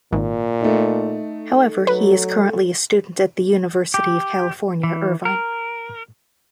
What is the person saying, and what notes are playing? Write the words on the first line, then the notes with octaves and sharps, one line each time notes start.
However, he is currently a student at the University of California, Irvine.
G#1 A#2
A3 D#4
F#3 B4
G4
E3
A#4